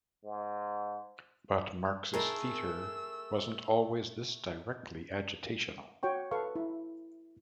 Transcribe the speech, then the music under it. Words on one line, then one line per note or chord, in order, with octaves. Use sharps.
But Marxist theatre wasn't always this directly agitational.
G#2
A3 D#4 E4 G#4 A#4 E6
F#4 C#5 G5 C#6
A4 B4 F5 C#6
E4